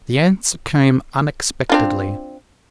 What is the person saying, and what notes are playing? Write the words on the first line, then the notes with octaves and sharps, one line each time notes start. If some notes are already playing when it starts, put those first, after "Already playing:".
The answer came unexpectedly.
C4 D4 F4